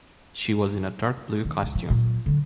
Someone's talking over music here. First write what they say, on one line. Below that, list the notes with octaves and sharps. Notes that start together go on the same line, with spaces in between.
She was in a dark blue costume.
D#3
C#2
E3
A#2 F#3
D3 F#3